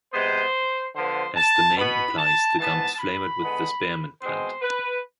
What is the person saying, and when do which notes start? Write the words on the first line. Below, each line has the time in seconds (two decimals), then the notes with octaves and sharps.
As the name implies the gum is flavored with the spearmint plant.
0.13 C3 G#3 B3 C5
0.95 D3 F3 B3 C5
1.36 A5
1.77 B2 B3 B5
2.17 A5
2.58 G#2 E3 B3 A5
2.99 B5
3.39 D3 G#3 B3
4.21 B2 G#3 C4 C5
4.62 B4